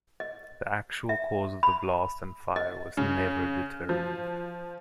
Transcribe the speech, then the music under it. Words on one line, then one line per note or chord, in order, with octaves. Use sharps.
The actual cause of the blast and fire was never determined.
D#5
E5
B5
D#5
C#3
F3